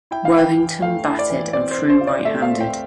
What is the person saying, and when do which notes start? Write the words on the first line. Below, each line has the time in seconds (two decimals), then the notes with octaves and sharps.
Worthington batted and threw right-handed.
0.11 E4 G5
0.25 F5
0.35 E3 G5
0.59 E3
0.82 A3 F5
1.07 E4
1.19 D5
1.30 E3
1.53 C4 D5
1.71 C5
1.78 D3
1.89 C5
2.01 F4
2.07 D5
2.25 A3 E5
2.42 F5
2.49 C4
2.60 G5